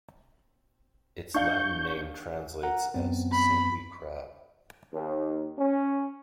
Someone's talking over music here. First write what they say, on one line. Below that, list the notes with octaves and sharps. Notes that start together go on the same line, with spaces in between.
Its Latin name translates as "saintly crab".
D4 F5 C#6 G6
A#4 F#5 A#5
F#2 B3 C4
B5
D#2
C#4